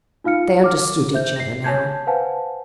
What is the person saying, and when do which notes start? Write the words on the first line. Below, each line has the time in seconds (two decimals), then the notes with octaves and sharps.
They understood each other now.
0.24 D#4 F4 F5 F6 C#7
0.64 D6 F6
1.13 C5 E5 G6
1.36 A#6 C7
1.64 C#5 G#5 A5 G6 G#6
2.07 B4 C5 F5 F#5 G#5 A5